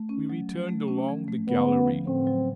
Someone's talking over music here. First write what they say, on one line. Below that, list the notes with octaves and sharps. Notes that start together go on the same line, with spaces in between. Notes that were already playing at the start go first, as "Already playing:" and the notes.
We returned along the gallery.
Already playing: A3
C#4
F#3
F#3
A3
C#4
F3
A3
D3 B3
C#4
F3
A2 C4
F#3